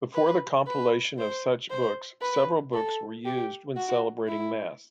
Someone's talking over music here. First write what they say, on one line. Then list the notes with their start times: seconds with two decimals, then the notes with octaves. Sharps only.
Before the compilation of such books, several books were used when celebrating Mass.
0.15 B4
0.67 B4
1.18 C5
1.70 C5
2.22 B4
2.74 A4
3.25 G4
3.77 F#4
4.28 E4